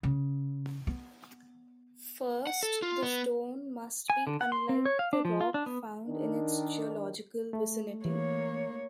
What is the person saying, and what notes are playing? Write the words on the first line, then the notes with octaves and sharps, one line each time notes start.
First, the stone must be unlike the rock found in its geological vicinity.
C#3
B3
F#5
A4
F4
B3
G#5
D3
F#5
C6
C4
C#5
F5
D4
F3
F4
D4
B3
D#3 D4
A3
E3 A#3 C#5